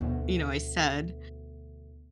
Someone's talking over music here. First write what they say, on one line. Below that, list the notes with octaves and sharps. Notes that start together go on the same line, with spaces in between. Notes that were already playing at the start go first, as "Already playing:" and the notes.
you know, I said"
D2 B2